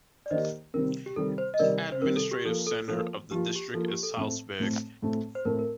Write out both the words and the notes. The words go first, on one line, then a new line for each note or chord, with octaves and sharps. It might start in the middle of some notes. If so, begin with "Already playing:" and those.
Administrative center of the district is Salzburg.
D5
D#3 A#3 D#4 G4 C5 D#5
C3 D#3 G3 C4 A#4
G4
C3 D#3 G3 C4 A4
C5
D#5
C3 D#3 G3 C4 A#4 D5
C5
C3 D#3 G3 C4 A#4
A4
G4
F3 A#3 F4 A4
A4
F3 A#3 F4 A4
F3 A#3 F4 G4
G4
F3 A#3 F4 A4
G4
A4
A2 A3 C4
A2 A3 C4
A2 A3 C4
C5
A2 A3 C4 A#4
A#4